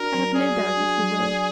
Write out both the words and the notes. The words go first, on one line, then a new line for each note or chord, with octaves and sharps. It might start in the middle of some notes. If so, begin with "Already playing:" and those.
I have no doubt that he will.
Already playing: D4 F#4 A#4 D5
F#3
G#4 D5
F#4
D4
F#3
D5